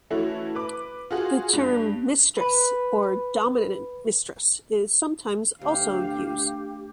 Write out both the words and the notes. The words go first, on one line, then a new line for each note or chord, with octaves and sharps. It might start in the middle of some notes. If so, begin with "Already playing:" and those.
The term "mistress" or "dominant mistress" is sometimes also used.
E3 A3 C#4 E4 F#4
B4 D6
F4 F#4 G#4 F#5
G2
B4 B5
D2 G4 F5